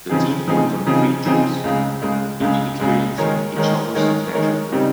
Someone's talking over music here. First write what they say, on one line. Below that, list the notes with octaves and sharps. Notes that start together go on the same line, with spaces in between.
The team went on three trips, each experiencing each other's adventure field.
C#3 F3 C4 D#4 G#4
C#3 F3 C4 D#4 G#4
C#3 F3 C4 D#4 G#4
C#3 F3 C4 D#4 G#4
C#2 C#3 G#3
C#2 C#3 G#3
C#2 C#3 G#3
C#2 C#3 G#3
D#3 G#3 D#4 A#4 C#5
D#3 G#3 D#4 A#4 C#5
D#3 G#3 D#4 A#4 C#5
D#3 G#3 D#4 A#4 C#5
C#3 G3 C4 D#4